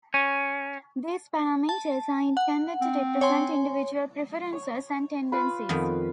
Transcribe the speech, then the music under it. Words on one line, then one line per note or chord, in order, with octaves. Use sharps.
These parameters are intended to represent individual preferences and tendencies.
C#4
A5
F#5
C4
C#5 G#5 C6
C#5
F4 B4 B5
F2 D#3 B3